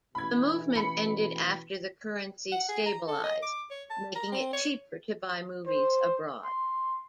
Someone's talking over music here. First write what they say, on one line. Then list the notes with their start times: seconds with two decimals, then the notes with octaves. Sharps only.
The movement ended after the currency stabilized, making it cheaper to buy movies abroad.
0.15 A1 B2 E3 B5 G#6
0.75 B5 C#7
2.52 F#5
2.69 G#4
2.86 A#5
3.08 A4
3.24 D#5
3.43 D6
3.71 C#5
3.90 A5
4.16 A#5
4.32 C4
4.53 C#5
5.66 C5
6.44 C6